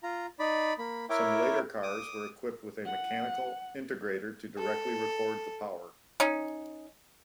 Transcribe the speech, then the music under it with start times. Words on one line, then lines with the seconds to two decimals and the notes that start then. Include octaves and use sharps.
Some later cars were equipped with a mechanical integrator to directly record the power.
0.03 F4 A#5
0.39 D#4 D5 B5
0.78 A#3 B5
1.10 E4 A#4 C#5 E5 G5 D6
1.83 D6 D#6
2.86 F#5
4.58 A4
6.20 C#4 D#4